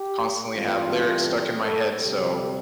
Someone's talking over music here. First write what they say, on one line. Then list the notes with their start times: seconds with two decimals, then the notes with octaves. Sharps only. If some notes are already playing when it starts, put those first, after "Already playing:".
constantly have lyrics stuck in my head, so,
Already playing: G4
0.53 G2 E3 A3 C4 F4
1.63 A4
2.00 D2 C3 G3 C4 G4